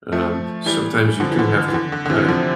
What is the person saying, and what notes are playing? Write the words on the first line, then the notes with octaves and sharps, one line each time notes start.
um, sometimes you do have to kinda
F3 A3
E3 G3
D3 F3
E3
D3
E3
D3
D3
D3
C3 E3
D3 F3